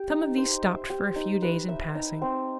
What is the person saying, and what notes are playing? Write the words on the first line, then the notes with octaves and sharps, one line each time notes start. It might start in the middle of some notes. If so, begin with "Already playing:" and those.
Some of these stopped for a few days in passing.
Already playing: G4
D#4
C5
E5
G4
D#4
B4
E5
D#4
C4